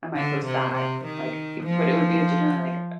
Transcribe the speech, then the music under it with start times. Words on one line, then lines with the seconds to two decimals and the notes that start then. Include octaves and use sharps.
I might post that, like, I but it would be generally, like,
0.17 D3
0.46 C3
0.75 C3
1.05 D#3
1.64 F3